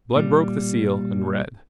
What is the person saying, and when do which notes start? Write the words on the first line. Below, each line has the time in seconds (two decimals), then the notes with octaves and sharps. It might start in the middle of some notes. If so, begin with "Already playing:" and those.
Blood broke the seal, and read.
0.16 A#2 G3